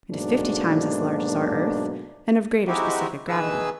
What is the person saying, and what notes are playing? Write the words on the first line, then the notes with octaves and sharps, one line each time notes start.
It is fifty times as large as our Earth and of greater specific gravity.
G#2 B2 F#3 A3 A#3 D4
G#3 C4 D#4 E4 F#4 G4
B2 D#3 E3 G#4 B4 E6